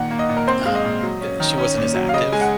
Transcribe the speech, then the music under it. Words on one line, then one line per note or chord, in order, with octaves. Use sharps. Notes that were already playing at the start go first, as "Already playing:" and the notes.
um, e She wasn't as active,
Already playing: A#2 D#3 F#5
A#3
D#5
A#2
A#4
C4 C5
G#3 F5
D#5
A#2
F#3
C#4
D#3
C#4
A#2
F#3
F5
C#3 D#5
G#3 G#5
F#5